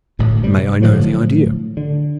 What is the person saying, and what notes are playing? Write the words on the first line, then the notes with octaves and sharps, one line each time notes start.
"May I know the idea?"
D1 D2 A2
C3 G3
A2 D3 F3 F#3
D3